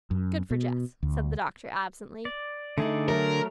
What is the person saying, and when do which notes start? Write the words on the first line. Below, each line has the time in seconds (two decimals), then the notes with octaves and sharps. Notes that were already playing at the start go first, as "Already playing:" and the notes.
"Good for Jess," said the doctor absently.
0.11 F#2
0.51 B2
1.03 D2
2.25 D5
2.78 D3 A3 D#4 G#4 D5
3.08 F#3 A3 A#4